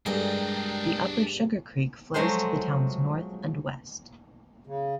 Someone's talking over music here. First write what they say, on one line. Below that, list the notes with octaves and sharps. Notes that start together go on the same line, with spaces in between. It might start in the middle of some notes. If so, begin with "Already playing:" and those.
The Upper Sugar Creek flows to the town's north and west.
G2 G3 G#3 D4 G#4 A#4 D#5 G5
F3 F#3 G#3 A3 G#4 C5
C#3